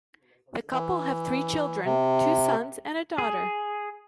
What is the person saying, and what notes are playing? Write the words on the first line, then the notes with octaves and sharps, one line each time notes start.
The couple have three children, two sons and a daughter.
E3
C3
G#4